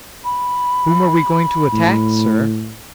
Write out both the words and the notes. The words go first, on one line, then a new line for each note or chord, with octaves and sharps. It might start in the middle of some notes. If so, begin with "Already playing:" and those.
"Whom are we going to attack, sir?"
B5
A2